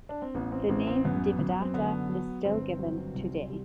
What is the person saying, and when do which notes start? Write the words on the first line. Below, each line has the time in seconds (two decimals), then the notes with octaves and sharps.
The name Devadatta is still given today.
0.09 D4
0.22 C4
0.34 A1 B3
0.52 C4
0.69 A1 C4
0.87 C4
1.05 F#2 B3
1.39 F#2
1.62 C4
1.74 D3 B3
2.09 F#3
2.45 G1 C4
2.79 F#3
3.14 C2
3.49 G3